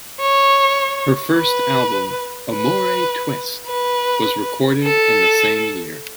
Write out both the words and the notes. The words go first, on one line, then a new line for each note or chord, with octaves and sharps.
Her first album "Amore Twist" was recorded in the same year.
C#5
B4
B4
B4
A4